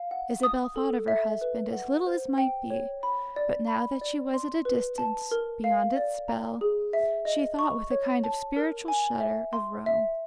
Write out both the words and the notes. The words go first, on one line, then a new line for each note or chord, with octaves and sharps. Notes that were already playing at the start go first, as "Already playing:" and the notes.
Isabel thought of her husband as little as might be; but now that she was at a distance, beyond its spell, she thought with a kind of spiritual shudder of Rome.
Already playing: F5
F#5
D#6
A4
E5
B4
F#5
C5
G5
C#5
B5
D5
B5
D5
C6
B4
A5
A#4
F5
D5
A#5
G#4
E5
D#5
C#6
C#5
A5
A#4
G#5
E5
C6
E5